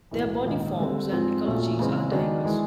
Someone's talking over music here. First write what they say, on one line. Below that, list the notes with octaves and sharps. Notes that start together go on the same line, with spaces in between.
Their body forms and ecologies are diverse.
B1 A2 E3
A#1 G#2 D#3
D3 G3 C4
G#2 F3 G#3 C4 F4
A#1 A#2 F#3 A3 C#4
E2 C#3 E3 G#3 C4
D#3 G#3 B3 D4 F#4
E3 G#3